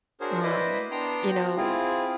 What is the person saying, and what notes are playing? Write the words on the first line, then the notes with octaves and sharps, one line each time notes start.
um, you know,
D4 F#4 G#4 A#4 C5 C#5
E4 B4 C5 D5 D#5
B3 D4 G5 A#5 C6
F#4
C4 E4 F4 G#4